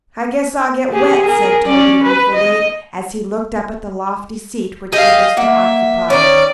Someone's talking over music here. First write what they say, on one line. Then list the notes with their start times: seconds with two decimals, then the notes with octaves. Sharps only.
"I guess I'll get wet," said Toby, ruefully, as he looked up at the lofty seat which he was to occupy.
0.92 G4 G#4
1.26 G#4 A#4
1.67 C#4 D5
2.03 B4
2.35 D#5
4.92 G4 G#4 D#5 F5
5.37 A#3 E5 F#5
6.10 D#3 C#4 D5